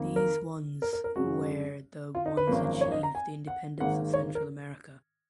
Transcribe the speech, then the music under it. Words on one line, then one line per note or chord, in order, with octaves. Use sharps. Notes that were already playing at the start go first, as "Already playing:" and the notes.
These ones where the ones achieve the independence of Central America.
Already playing: F2 D#3 A#3
A#4
A#4
A#4
A#4
F#2 C#3 G#3 F#4
F4
D#4
B4
G#1 F#2 F3 A#3
C#5
D#5
A#5
G#5
F#5
G#1 G#2 D#3 A#3 F#5
C#5
A#4